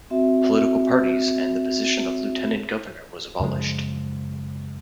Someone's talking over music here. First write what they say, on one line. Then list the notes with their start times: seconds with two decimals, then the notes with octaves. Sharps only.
Political parties and the position of Lieutenant Governor was abolished.
0.10 C4 F#4 E5
3.40 F#2 C#3 F3 G#3